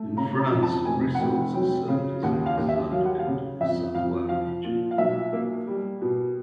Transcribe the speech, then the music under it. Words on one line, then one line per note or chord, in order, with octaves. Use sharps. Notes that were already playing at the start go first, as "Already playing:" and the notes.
In France, rissoles are served as a dessert cooked in the Savoy region.
Already playing: A3
C#3 A#5
A#5
F2
A5
F1 G#5
F#5
F1 G5
F#3 G5
C#3
D#2 F#5
F5
D#2
E5
F#3 F5
F#5
F5
C#3
F2 E5
F2 F5
F3 F5
A#2
F5
B1 E5
A#3
G3
B2